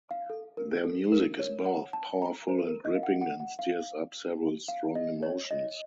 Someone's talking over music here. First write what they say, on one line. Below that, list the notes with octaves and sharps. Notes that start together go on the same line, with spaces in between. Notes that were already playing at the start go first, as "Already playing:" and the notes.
Their music is both powerful and gripping and stirs up several strong emotions.
F5
A4
A#4
A4
A#4
C#5
F#5
A5
A#5
C5
A4
A#4
D#5
F5
F#5
F#5
F#5
F5
F5
D#5
C#5
D#5